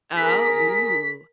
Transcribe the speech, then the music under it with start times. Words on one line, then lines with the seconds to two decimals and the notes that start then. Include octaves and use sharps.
Oh Ooh.
0.17 G#4 A#4 B6